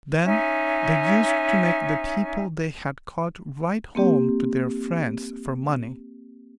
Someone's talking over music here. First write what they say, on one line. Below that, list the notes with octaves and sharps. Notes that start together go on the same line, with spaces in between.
Then they used to make the people they had caught write home to their friends for money.
C#4 D#4 E5 G#5
A#3 C4 G4